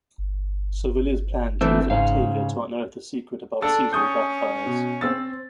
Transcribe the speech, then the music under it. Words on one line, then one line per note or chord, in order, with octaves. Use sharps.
Servilia's plan to use Octavia to unearth a secret about Caesar backfires.
G1
D3 E3 A3 C4 E5
G#2 C#3 F5
D4 A4 E6 A6
C#4 C#6 D#6 G6
B2
C4 E6 A6